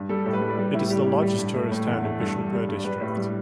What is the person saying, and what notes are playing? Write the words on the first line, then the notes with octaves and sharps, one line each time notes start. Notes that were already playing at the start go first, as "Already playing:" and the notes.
It is the largest tourist town in Bishnupur District.
Already playing: G2
G3 A4
A2 A4
B4
G3
D5
G3 B4
A2 E4
G3 G4
A2
G3
G2
A3
A2
E2
A3
G2 A4
G3
G3
G2
D5
G3 B4
A2
G3